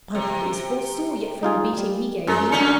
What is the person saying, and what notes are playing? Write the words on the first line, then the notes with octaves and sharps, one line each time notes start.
"My body is full sore yet from the beating he gave me."
C3
D#4 F4 G#4
G3
F#2 G#3 A#4 A#5
C#3 C#4 D#4